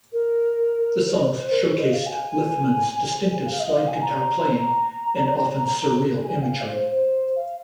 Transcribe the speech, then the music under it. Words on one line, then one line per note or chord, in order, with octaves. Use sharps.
The songs showcased Lithman's distinctive slide guitar playing and often surreal imagery.
A#4
D#5
C5
C5
A#4
C5
D#5
F5
G#5
G#5
F5
D#5
F5
G#5
A#5
A#5
G#5
F5
C5
C5
F5